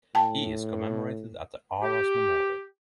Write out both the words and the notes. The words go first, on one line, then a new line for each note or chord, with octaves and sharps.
He is commemorated at the Arras Memorial.
A2 G5 A5
G4